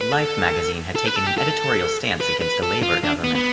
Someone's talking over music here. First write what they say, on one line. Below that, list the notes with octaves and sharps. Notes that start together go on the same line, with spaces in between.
"Life" magazine had taken an editorial stance against the Labour government.
B4
A4
A4
B4
A4
G4
A4
B4
B4
A4
F4
D4
B3
B3